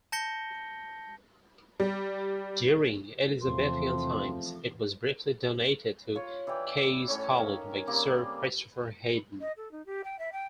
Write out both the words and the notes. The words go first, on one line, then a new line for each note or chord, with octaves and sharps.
During Elizabethian times, it was briefly donated to Caius College by Sir Christopher Heydon.
A5 G6 A#6 C#7 G7
G3
E2 C3 F3 A3 C4 C6
F4 C#5
E3 E4 D5 G5
A2 C#4 C#5
D#3 F5
C#3 G3 A#3 C4
D#5
A4
D#4
G4
G5
E5
G5